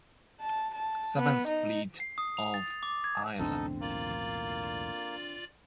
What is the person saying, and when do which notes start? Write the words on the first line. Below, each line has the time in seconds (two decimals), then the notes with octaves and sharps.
Seventh Fleet off Ireland.
0.41 A5
0.75 A5
1.17 B3
1.48 D#4
2.00 C7
2.18 D#6
2.37 F7
2.54 A6
2.83 D6
3.04 G#6
3.39 B1 E2 A2 D3 C4 D#4 A4
3.81 A#3 F4 D5